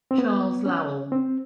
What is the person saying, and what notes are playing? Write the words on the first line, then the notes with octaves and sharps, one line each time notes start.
Charles Lowell.
C4
B3
C#4
C4